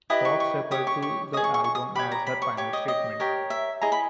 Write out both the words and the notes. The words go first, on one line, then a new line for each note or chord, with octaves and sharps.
Cox referred to the album as her "final statement".
E4 G4 B4 D#5 D#6
C#6
C#6
G4 C#5 D#6
C#6
C#6
G#4 D#5 D#6
C#6
C#6
C#6
D#6
G4 C#5 B5
A#5
B5
C#6
G4 C#5
D#5
D#5
G4 A#4 C#5
E5
E4 G#4 D#5 A#5
B5